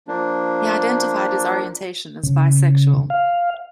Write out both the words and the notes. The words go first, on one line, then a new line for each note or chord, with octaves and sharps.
He identified his orientation as bisexual.
F3 A#3 D4
C#3
F5